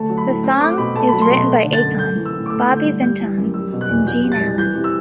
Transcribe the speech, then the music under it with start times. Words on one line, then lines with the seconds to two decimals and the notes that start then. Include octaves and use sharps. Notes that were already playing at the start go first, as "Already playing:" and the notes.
The song is written by Akon, Bobby Vinton, and Gene Allan.
Already playing: D2 A3 A5
0.09 F#3
0.17 B5
0.26 A2
0.44 C4
0.61 A3 D6
0.78 B2 B5
0.95 A3 A5
1.08 B5
1.13 F#3
1.21 C6
1.30 B2
1.47 A3
1.64 D3
1.73 A6
1.81 F#2
1.99 A3 G6
2.16 E3
2.25 E6
2.33 A2
2.46 D6
2.50 A3 E6
2.68 D3
2.76 G6
2.85 G2
3.02 G3 G6
3.20 E3
3.37 F#2
3.54 G3 E6
3.72 B2
3.81 F#6
3.88 E2
4.06 F#3 G6
4.24 C3
4.32 A6
4.40 C2
4.58 E3 G6
4.75 C3
4.84 E6